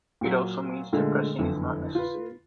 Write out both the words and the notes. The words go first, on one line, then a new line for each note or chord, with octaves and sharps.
It also means that pressing is not necessary.
A#2 F#3
A#2 D3 G#3 A3
F#1 F2 D3 E3 E4
F4 B4